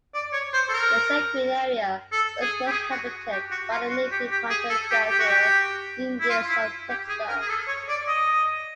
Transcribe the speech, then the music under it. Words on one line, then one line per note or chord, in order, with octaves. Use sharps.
The Seguin area was once inhabited by the native hunter-gatherer Indians of Texas.
D5
C#5
C5
A4
A#4
A4
G#4
G4
G#4
F#4
G4
F#4
F4
F#4
G4
G4
G#4
A4
G4
G4
F#4
G4
E4
F4
E4
G4
G#4
A#4
G#4
A4
C#5
D5
D#5